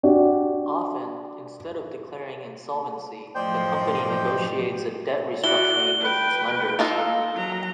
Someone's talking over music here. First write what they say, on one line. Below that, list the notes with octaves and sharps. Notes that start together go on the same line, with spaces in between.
Often, instead of declaring insolvency, the company negotiates a debt restructuring with its lenders.
D4 F#4 G4 D5
F#2 A2 F3 C5 D5 D#5 G5
E4 F#4 D5 G7
B4 G5
A#3 D#4 F4 A4
F#3 A#5